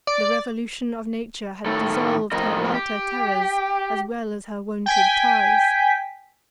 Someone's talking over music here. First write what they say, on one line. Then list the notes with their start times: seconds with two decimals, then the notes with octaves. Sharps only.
The revolution of Nature had dissolved her lighter terrors as well as her wonted ties.
0.07 D5
1.66 A2 D#3 A3 A4
2.32 F2 A2 A#4 D#5
2.74 G4
4.86 G5 G#5 B6